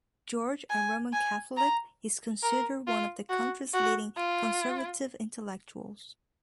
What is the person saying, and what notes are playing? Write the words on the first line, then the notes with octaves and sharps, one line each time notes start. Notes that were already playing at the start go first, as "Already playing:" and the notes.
George, a Roman Catholic, is considered one of the country's leading conservative intellectuals.
G#5
G#5
A#5
A#4
F4
F#4
F#4
F4